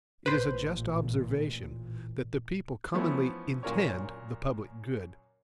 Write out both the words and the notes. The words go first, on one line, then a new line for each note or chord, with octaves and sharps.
It is a just observation, that the people commonly INTEND the PUBLIC GOOD.
A1 A#2 B4 C5
E3 F3 A3 B3 C#4 E4
F#2 A#2 A#4 C#5